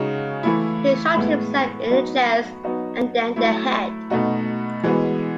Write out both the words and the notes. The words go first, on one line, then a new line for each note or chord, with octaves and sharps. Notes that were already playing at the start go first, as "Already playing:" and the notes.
He shot himself in the chest and then the head.
Already playing: C#3 G#3 D#4 F#4
E3 A3 E4
A2 G#3 B3 E4
F#3 B3 D#4 F#4
F#3 B3 D#4 F#4
F#3 A3 E4
B2 A3 D#4 F#4
E3 G#3 B3 F#4